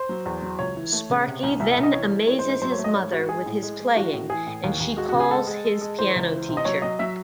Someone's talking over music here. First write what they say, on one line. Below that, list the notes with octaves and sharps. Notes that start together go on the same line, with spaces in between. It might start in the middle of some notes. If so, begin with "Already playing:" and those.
Sparky then amazes his mother with his playing, and she calls his piano teacher.
Already playing: C5
F#3
E2
F#3
C#2 C#5
E3
A3
C#3
C3
C2
C2 E5
E5
C2
D#5
E3 C#5
G#3
E3 C#5
C5
G#2
C5
F#3 C5
C#5
A3
D#5
G#2 C#5
G#2 F#4
G#3 G#4
A2
G#3
G#3
E3 F#4
A2
E3 G#4
A2
D#2
D#2
G#3 F#4
C#3 F#4
G#4
G#3 A4
G#3
G#3
G#3
E3 C5
C#2
E3
C3
D#5
F#3 C#5
F#3 D#5
F#3 E5